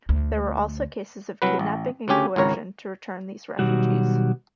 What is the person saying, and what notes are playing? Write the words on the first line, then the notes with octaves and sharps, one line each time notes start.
There were also cases of kidnapping and coercion to return these refugees.
D2
C2 F#3 B4
A1
D2 C#3 C#4 G4 G#5
G#1 C#2 A#4 C#5
B2 D#3 F#3 G3 F#4